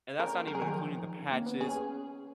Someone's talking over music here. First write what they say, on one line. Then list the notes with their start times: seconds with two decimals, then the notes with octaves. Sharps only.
And that's not even including the patches
0.19 C#4 A#4
0.33 A#3
0.47 F#3 A#4
0.55 G#4
0.62 D#3 A#4
0.75 F3
0.90 D#3
1.03 D#3
1.18 C#4
1.32 A#3
1.46 B3
1.61 C#4 G#4